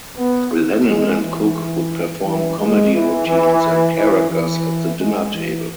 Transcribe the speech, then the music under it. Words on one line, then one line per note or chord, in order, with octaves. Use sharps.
Lennon and Cook would perform comedy routines and characters at the dinner table.
B3
G#3
E3
E3
G#3
E3
E3
E3
E3
G#3
E3